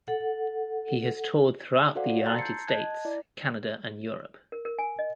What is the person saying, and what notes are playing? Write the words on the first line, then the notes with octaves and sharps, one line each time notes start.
He has toured throughout the United States, Canada, and Europe.
A4 F#5
F#4 A4 C5 D5 F5 F#5
A5 A#5 C6 E6 A6
G6 G#6 C7 C#7
D#5 A5 F#6 G#6
E4 D5
A#4
A#4
G#5
D#5